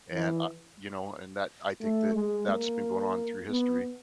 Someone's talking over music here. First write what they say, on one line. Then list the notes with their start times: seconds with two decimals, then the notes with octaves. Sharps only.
And, uh, you know, and that, I think, that that's been going on through history.
0.12 E3
1.81 A3
2.14 G#3
2.48 A#3
3.50 B3